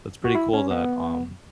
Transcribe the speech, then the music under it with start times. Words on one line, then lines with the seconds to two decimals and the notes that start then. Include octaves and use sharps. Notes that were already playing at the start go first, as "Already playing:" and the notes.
so it's pretty cool that, um
0.25 F#4
0.35 E4
0.53 C#4
0.71 B3